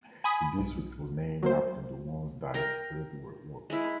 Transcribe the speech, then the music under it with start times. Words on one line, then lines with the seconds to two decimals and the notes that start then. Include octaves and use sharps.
The district was named after the Wansdyke earthwork.
0.24 G#5 B5 D#6
0.58 B1
1.43 F#3 A#3 C5
2.54 A#4 G5
3.70 G#3 E4